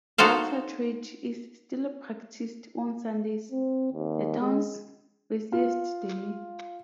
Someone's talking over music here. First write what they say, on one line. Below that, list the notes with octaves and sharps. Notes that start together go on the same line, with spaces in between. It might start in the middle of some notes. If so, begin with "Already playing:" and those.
Barter trade is still practiced on Sundays, the town's busiest day.
D#4 F#4 A4 C5 F5
C4
D#2
G#3
F4